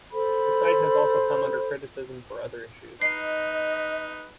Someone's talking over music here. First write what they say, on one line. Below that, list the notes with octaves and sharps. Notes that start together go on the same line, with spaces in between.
The site has also come under criticism for other issues.
A4 C5 B5
D#4 B4 D#5 C7